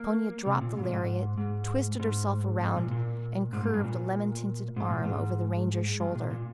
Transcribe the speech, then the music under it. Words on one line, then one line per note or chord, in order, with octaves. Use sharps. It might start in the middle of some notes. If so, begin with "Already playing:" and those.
Tonia dropped the lariat, twisted herself around, and curved a lemon- tinted arm over the ranger's shoulder.
Already playing: A#3
C3
A#2
G#2
A#2
G#2
G#2
G#2
G#2
A#2
A#2
G#2
G#2
G2
A#2
G#2
A#2
G#2
G2
A#2
A#2